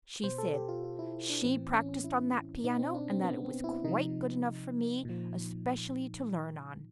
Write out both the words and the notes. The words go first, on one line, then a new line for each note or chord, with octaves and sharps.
She said SHE practised on that piano, and that it was quite good enough for me, especially to learn on.
B2 C5
A4
G4
F4
F4
E4
D4
A2 E3 C4
C#4
E4
B2 D#4
C4
D4
C4
B3
C4
E4
C3 F3 D#4
A#2 F3